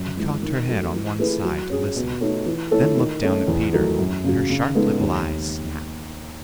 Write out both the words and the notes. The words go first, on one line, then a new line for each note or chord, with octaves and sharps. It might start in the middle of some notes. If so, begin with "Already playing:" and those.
She cocked her head on one side to listen, then looked down at Peter, and her sharp little eyes snapped.
Already playing: F#2
E3 G#3
D#3
F#3 A3
E3
A3 E4 G#4 B4
F#3
C#4 G#4
B2
A3 D#4 A4 C#5
E3
A3 E4 A4 C#5
D#3
A3 C#4
E2
D#3 F#3 A3 D#4
F#2
C#3 F#3
C#3
G#3 B3 D#4 A4
D#2